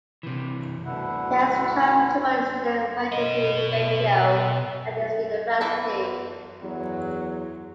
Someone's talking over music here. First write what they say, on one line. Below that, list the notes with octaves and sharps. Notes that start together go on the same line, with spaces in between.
There is a twelve to one student faculty ratio at this University.
C3 E3
D2 B2 D3 E4 F#5
B2 D#5
E3 B3 E5 A5
E2 F#3